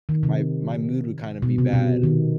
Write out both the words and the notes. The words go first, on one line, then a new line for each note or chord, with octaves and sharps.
my my mood would kind of be bad,
D#3
C3
B2
C3
B2
D#3